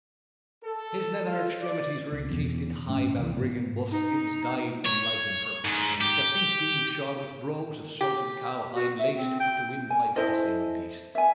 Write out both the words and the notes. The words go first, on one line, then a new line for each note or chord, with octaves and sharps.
His nether extremities were encased in high Balbriggan buskins dyed in lichen purple, the feet being shod with brogues of salted cowhide laced with the windpipe of the same beast.
A4
F4
D5
C#2
E2 B2
G1 A2 C#4
C#2 C3 E3
G#2 B3
D#4
C#5
G#2
G4
G4
F#4
E5
C4
G5
G#5
E4 A4 C5 D#5
E5 G#5